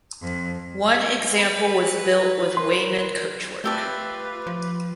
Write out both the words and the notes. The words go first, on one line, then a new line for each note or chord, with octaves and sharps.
One example was built with Weymann coachwork.
F2
B4
A#4 C6
A3 F4 G4 B4 D5 E5 G5 A5
F3